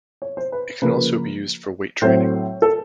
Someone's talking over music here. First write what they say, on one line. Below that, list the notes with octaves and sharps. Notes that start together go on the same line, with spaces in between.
It can also be used for weight training.
C#5
C5
B4
C#3 F3 A#3 B4
A2 F#3 A3 C4 C5
A4